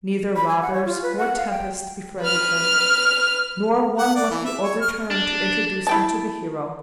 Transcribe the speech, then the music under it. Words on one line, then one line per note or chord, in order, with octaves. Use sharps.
Neither robbers nor tempests befriended them, nor one lucky overturn to introduce them to the hero.
B5
G#5
F#5
C#5
F4
B4
F#5
F5
G5
B4 F6
F#5
D5
E3
E5
C#5
F6
D4
E4 G5 A5